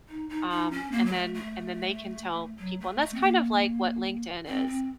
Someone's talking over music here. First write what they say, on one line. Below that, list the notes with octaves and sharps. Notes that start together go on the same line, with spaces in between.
um, and then and then, they can tell people and that's kind of like what LinkedIn is,
D#4
D#4
D#4
C#4
A#3
F#3
A3
A3
F#3
A3
A3
C4
A#3
C4
C4